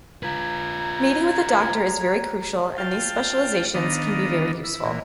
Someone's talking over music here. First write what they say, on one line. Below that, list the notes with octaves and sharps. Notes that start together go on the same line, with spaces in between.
Meeting with a doctor is very crucial and these specializations can be very useful.
F4 B4 A#5 G#6
F4 F5 G5 A5
D#3 B3 D4 D#5 F5 A#5
E4
A#2 E3